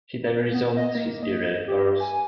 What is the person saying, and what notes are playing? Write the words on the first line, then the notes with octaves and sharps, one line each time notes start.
He then resumed his earlier course.
B3
D#5
A#3
D#5
G4
G#5